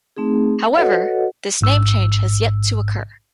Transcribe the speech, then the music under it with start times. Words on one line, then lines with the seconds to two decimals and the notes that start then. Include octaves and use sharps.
However, this name change has yet to occur.
0.17 A3 C4 D#4 G#4
0.74 F#4 A4 B4 C#5 D#5 F#5
1.61 A1 G#2 E6